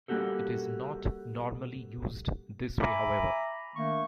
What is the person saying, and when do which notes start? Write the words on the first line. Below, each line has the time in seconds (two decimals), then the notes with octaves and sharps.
It is not normally used this way however.
0.08 G3 A#3 C#4 F#4 G4 A4
2.80 E5 G#5 A#5 B5 D6
3.75 D#3 A3 A#3 D4 C#6